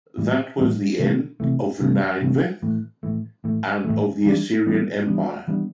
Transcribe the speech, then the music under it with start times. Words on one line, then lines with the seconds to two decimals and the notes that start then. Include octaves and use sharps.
That was the end of Nineveh and of the Assyrian empire.
0.18 A2 E3 G3
0.58 A2 E3 G3
0.99 C3 E3 A3
1.40 C3 E3 A3
1.81 C3 E3 A3
2.21 C3 E3 A3
2.62 A2 E3 A3
3.03 A2 E3 A3
3.44 A2 E3 A3
3.85 A2 E3 A3
4.26 E3 G3 B3 D4
4.66 E3 G3 B3 D4
5.07 E3 G3 B3 D4
5.48 E3 G3 B3 D4